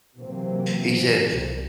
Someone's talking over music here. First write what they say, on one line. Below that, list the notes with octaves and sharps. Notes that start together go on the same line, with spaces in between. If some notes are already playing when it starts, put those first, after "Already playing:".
He said,
C3 E3 F#3 A#3 C4
C2